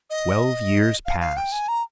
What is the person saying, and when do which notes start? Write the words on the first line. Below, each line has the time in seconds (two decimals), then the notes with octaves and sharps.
Twelve years passed.
0.10 D#5
1.06 F5
1.20 F5
1.37 G5
1.52 G#5
1.68 A#5